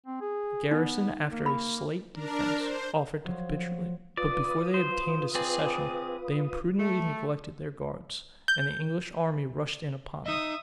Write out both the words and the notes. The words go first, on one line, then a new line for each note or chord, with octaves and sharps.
The garrison, after a slight defence, offered to capitulate; but before they obtained a cessation, they imprudently neglected their guards; and the English army rushed in upon them.
C4
G#4
B3 D#4
A#3
B5
D4 A#4
C5
F3 F#3
F4 B4 D5 D#6
C5
C4 G#4 D5
A3
G6
D#4 D#5 E5 D#6